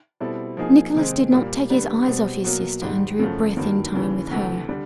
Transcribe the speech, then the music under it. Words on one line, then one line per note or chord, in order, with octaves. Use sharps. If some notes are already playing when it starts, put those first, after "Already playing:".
Nicholas did not take his eyes off his sister and drew breath in time with her.
B2 G3 C4 E4 A4
F3 A#3 D#4 G#4
C3 D#3 G#3 C4 D#4
A#2 G3 A#3
D3 G3 B3
B2 G3 C4
B2 F#3 A#3
G#2 D#3 G3
F#2 C#3 F3 A3
G2 D#3 F#3 A#3
D#2 C#3 E3
D2 C3 E3 A3
D3 G3